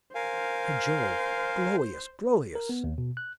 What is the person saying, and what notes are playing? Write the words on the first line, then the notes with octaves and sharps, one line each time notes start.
By Jove! glowious! glowious!
A#4 C5 F5 G#5
A#4
B3
D#2
B2
F#6